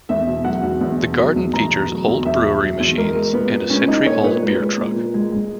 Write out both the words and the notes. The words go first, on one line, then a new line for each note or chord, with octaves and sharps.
The Garden features old brewery machines and a century-old beer truck.
E2 E5
B2
F#3 F#5
E2
E2
B2
F#3
E2
E2 A#5
B2
F#3
E2
E2 E5
B2
F#3
E2
G#3 A#4
G#3
A#2 B3
A#2
G#3 C#4
G#3 D#4
A#2 C#5
A#2 B4
G#3
G#3
A#2
A#2
G#3
G#3